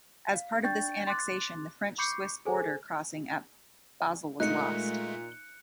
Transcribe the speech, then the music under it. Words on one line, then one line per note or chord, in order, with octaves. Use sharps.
As part of this annexation, the French-Swiss border crossing at Basel was lost.
F5
D4 D5 G5 C#6 G6 A6
C6 D6 F#6 A6
B5 C#6 D6 G6 C7 C#7
G#4 A4 C5 G#5
A#2 G#3 A3 D#4 F#6 C#7